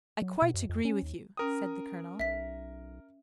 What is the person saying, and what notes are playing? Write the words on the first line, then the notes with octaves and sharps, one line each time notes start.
"I quite agree with you," said the Colonel.
F#3
B2
F#2
F2
C#4
D#2
C#4 A#4 G5 D#6
B1 E5 B6